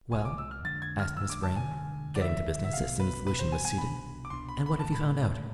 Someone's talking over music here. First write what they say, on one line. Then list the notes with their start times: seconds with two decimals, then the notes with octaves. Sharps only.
"Well?" asked Miss Vrain, getting to business as soon as Lucian was seated, "and what have you found out?"
0.12 C2 C3 G#3 G#5
0.25 D6
0.38 E6
0.51 F6
0.64 F2 D3 G#3 D4 A6
0.82 G#6
1.00 F6
1.17 F2 D3 G#3 D4 E6
1.30 D6
1.43 A5
1.56 G#5
1.69 E1 D2 D3 G#3
2.16 D5
2.21 E1 D2 D3 G#3 E5
2.64 E5
2.73 B1 B2 B3 F5
3.00 B4
3.26 B1 B2 B3 B4
3.39 C5
3.52 G#5
3.65 G#5
3.78 C2 B2 B3 D4 B5
4.25 D6
4.30 C2 B2 B3 D4 C6
4.49 B5
4.66 B5
4.79 B1 A2 G#3 A5
4.92 B5
5.36 A2 G#3